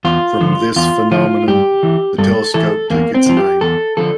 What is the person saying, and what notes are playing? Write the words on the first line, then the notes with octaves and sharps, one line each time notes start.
From this phenomenon the telescope took its name.
E2 F4
D3 F3
E2 F4
D3 F3 F4
G2 G4
E3
G2 A4
E3 A4
E2 A#3
C4
D3
F3
G4
E2 A4
D3 F3 A4